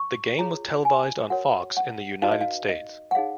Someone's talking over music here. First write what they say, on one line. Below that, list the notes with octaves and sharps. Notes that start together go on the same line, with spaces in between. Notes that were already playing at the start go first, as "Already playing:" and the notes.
The game was televised on Fox in the United States.
Already playing: C#6
F4 G#4 C#5 A#5
G#5
F#4 A#4 C#5 F#5
F#5
D#4 F#4 B4 F5
D#5
F5
D#5
F#5
D#4 G#4 C#5 F5